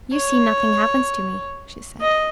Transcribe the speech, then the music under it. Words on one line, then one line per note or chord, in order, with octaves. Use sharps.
"You see nothing happens to me," she said.
C#5
D#5